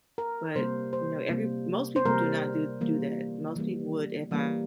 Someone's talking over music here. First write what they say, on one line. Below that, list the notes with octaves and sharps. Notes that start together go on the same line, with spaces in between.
but, you know, every most people do not do do that. Most people would if I
A#4
C3 G3 A#3 C5
C5
C3 G3 A#3
C5
C3 G3 A#3 A#4
E3 G3 A#3
E3 G3 A#3
E3 G3 A#3